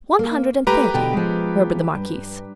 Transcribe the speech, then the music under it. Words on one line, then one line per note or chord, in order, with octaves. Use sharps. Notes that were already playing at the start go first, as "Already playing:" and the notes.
"One hundred and thirty," murmured the marquise.
A#3
A3 G4 B4 A#5
B2 D3 G5
F3 G#3
G2